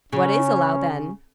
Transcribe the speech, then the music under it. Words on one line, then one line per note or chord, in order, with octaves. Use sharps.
"What is allowed, then?"
C#3 C#4